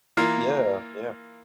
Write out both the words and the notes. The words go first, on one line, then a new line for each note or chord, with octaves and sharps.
Yeah, yeah.
E3 A#3 F4 A#4